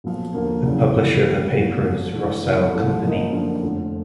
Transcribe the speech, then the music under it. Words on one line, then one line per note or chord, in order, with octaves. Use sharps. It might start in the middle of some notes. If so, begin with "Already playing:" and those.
The publisher of the paper is Rossel company.
B1 A#2 F3
D#2 D3 F3 A#3
E2 C#3 F#3
F2 C3 E3 G3
E1 D2 C#3 F3
F#1 E2 B2
G#1 G#2 F3
G#2 E3 A3 D4
C2 B2 G3
A1 G#2 F3 A3
G#2 F3 A#3 D#4
F#2 D3 F3 A#3 D4
F1 F2 D3 F3